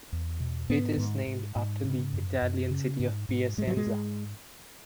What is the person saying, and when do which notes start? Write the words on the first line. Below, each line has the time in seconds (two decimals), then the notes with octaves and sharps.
It is named after the Italian city of Piacenza.
0.12 E2
0.40 B2
0.69 G#2 B3
0.98 G#2
1.27 G#2
1.56 G#2
1.85 C#3
2.13 F#2
2.42 F#2
2.71 C#3
2.99 G#2
3.29 G#2
3.57 G#2 G#3
3.67 F#3
3.77 G#3
3.87 G#2